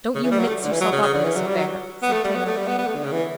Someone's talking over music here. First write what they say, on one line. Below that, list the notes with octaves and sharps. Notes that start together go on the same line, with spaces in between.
"Don't you mix yourself up in this affair," said Thenardier.
C#3
E3
G3
F#3
A3
D3
E3
F#3
C#3
C#3
D3
E3
F#3
G3
F#3
B3
A3
G3
B3
A3
G3
B3
B3
A3
D3
C#3
E3